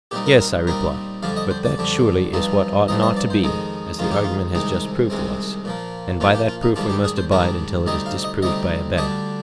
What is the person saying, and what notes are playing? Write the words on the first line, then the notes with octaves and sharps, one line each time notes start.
Yes, I replied; but that surely is what ought not to be, as the argument has just proved to us; and by that proof we must abide until it is disproved by a better.
A#2 G3 C4 D#4 G4
A#4
A#4
A#2 G3 C4 D#4 A#4
F2 D3 G3 D4 F5
D#5
C5
D5
F2 D3 G3 D4
G2 F3 C4 D#4
G2 F3 C4 D#4 D#5
D#5
D5
C5
F2 D#3 G#3 D#4
F2 D#3 G#3 D#4 F4
G4
F4
C2 C3 D#3 G#3 C4 D#4
C2 C3 D#3 G#3 C4
A#2 F3 A#3
A#2 F3 A#3 F4
G4
F4
D#4
G#2 D#3 G3 D4 F4
G4
G#4
C5
G#2 D#3 G3 D4 A#4
D2 C3 G3 C4 D#4 D#5
F5
D#5
D2 C3 G3 C4 D#4 D#5
D2 D3 G3 D4 D#5